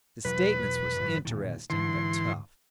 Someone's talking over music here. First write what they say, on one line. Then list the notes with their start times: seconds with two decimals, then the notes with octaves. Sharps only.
The statements was interesting, but tough.
0.25 E1 F#3 B4
0.99 G1 A2 F#3
1.25 D1 A#2 D#3
1.70 G#2 D3 E3 C6